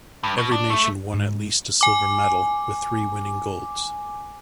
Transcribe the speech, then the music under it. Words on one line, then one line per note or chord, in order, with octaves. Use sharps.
Every nation won at least a silver medal, with three winning golds.
G2
B2
D4
A3
G#2
G#5 D6